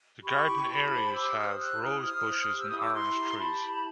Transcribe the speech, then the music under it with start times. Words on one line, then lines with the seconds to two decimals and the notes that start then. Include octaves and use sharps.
The garden areas have rosebushes and orange trees.
0.23 G4 B5 C#6
0.46 E4
0.62 C6
0.68 G4 A5 B5
0.91 C5
1.14 G4 D6 E6
1.36 C5 D#6 F6
1.59 G4 E6 F#6
1.81 E4 D#6 F6
2.03 C5 D#6 F6
2.26 C5
2.48 G4 F6
2.58 E6
2.68 E4 D#6
2.77 D6 E6
2.93 E4 A#5 C6
3.15 G4
3.33 A#5
3.38 G4 A5 B5
3.61 E4
3.73 B5